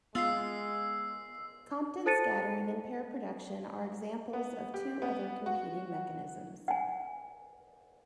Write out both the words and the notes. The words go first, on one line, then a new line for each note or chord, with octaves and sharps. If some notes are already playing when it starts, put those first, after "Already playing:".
Compton scattering and pair production are examples of two other competing mechanisms.
G#3 B3 F4 E6 C7
A4 C5 A5 A6 C#7 D#7
B3
G4
B3
F#4
F#5 G#5